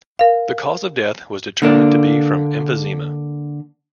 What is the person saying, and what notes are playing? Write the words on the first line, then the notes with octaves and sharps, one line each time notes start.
The cause of death was determined to be from emphysema.
A#4 F5
D3 A#3 D4